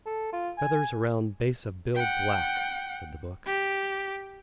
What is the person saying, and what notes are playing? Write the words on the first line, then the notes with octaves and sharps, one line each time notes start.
"Feathers around base of bill black," said the book.
A4
F4
G#5
F#5 G5
G4